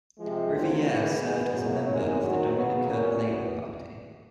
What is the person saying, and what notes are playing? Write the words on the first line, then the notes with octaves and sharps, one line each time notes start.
Riviere served as a member of the Dominica Labour Party.
C3 F3 G#3
D3 F#3 A3 C4 F4
F#2 C#3 E3
B2 G#3 B3
F#2 C#3 F#3
E2 C3 D#3 G#3 C#4
G#2 D#3 F#3
C#3 F#3 B3
A#2 G3 A#3 C#4
E2 B2